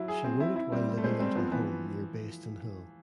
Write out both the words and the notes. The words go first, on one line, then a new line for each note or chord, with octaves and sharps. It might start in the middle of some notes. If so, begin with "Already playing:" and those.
She wrote it while living at her home near Bayston Hill.
Already playing: F#3 E4
G#4
C4
E4
E4
G3 C4
C4
A3
G#3 C5
G3 C4
F3 B3
E3 B3